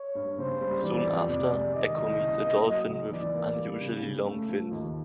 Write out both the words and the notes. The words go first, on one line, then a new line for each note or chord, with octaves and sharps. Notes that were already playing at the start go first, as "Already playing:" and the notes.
Soon after, Ecco meets a dolphin with unusually long fins.
Already playing: C#5
G2
C#3 C5
G3
E3 D5
F2
C3 D5
G#3
D#3 D#5
C2
C#3
A#3
F#3
C#2
E3 D5
A#3
G3
C#3
C#3
A3
F3
D#2